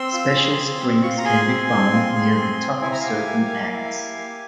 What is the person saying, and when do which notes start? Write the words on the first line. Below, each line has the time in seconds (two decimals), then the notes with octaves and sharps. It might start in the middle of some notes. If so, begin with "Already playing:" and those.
Special Springs can be found near the top of certain acts.
Already playing: C4 C6 E6
0.13 F4
0.35 G#4
0.58 C4
0.80 C4
1.03 F4 C#6
1.11 C6
1.18 A#5
1.25 G#4 G#5 C6
1.47 C4
1.70 C4
1.93 F4
2.15 G#4
2.37 C4
2.60 C4
2.82 E4 G#5
2.92 A#5
3.00 G4 F5 G#5
3.27 A#3
3.49 A#3
3.72 E4
3.94 G4
4.16 A#3